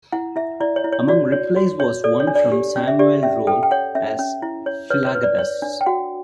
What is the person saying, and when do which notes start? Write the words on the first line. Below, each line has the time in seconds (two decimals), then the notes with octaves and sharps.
Among replies was one from Samuel Rolle as Philagathus.
0.12 E4 F#5
0.36 E4 E5
0.61 E4 D5
0.76 C#5
0.84 E4
0.92 C#5
1.08 F#4 D5
1.32 C#5
1.56 F#4
1.80 C#5
2.04 A4 D5
2.20 C#5
2.27 D4
2.35 D5
2.52 G4
2.76 C#4
2.88 E5
2.99 G4 D5
3.23 C#4 E5
3.47 A4 G5
3.63 G5
3.71 C#5 F#5
3.95 C#4 E5
4.19 C#4
4.42 E4
4.66 C#5
4.90 B4 C#5
5.07 C#5
5.15 B4
5.23 D5
5.38 C#5
5.62 D4
5.81 G5
5.86 F#4 F#5